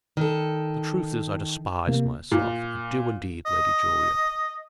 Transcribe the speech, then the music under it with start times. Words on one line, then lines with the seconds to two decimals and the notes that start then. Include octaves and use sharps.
The truth is, I despise myself;--I do indeed, Lady Julia.
0.17 D#3 A4
1.87 C3 A#3
2.32 A#2
3.46 D#5